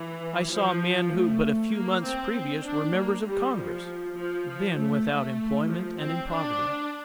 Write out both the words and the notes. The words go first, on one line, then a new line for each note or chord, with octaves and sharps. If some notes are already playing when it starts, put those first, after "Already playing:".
I saw men who but a few months previous were members of Congress, then without employment and in poverty.
Already playing: E3
F3
A3
A#3
C4
C4
D4
A#3
G3
F3
F3
F3
A3
F3
C4
D4